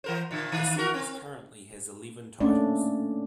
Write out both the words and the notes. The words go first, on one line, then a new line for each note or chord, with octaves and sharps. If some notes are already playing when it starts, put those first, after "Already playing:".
The series currently has eleven titles.
E3 A#4 C5
A#2 D3
D#3
F#4 A#4
C4
A3 A#3 C#4 D4 D5